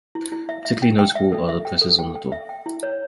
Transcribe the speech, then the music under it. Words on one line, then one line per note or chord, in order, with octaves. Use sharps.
Particularly notable are the presses on the door.
E4
E4
E5
E5
G5
G5
E5
A4
E5
G5
A4
G5
G5
E5
G5
E4
C#5